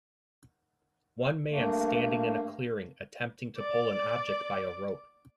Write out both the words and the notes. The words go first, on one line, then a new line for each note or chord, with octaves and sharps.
One man standing in a clearing attempting to pull an object by a rope.
G2 A3 A#3
D5 D6